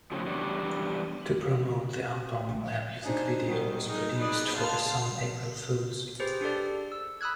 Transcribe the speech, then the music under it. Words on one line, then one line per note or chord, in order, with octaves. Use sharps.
To promote the album, a music video was produced for the song "April Fools".
A2 C#3 F3 F#3
E2 G3 D4 C#5
D4 D#4 G#4 C5
B2 D#3 F#3 G3
D#4 G#4 A#4
D#4 G#4 B4 D5 D#6
F5 A5 C6 F6
G4 G#4 B4 C5
D4 G4 A4 D5
E6
B5 D#6 E6 F#6 G#6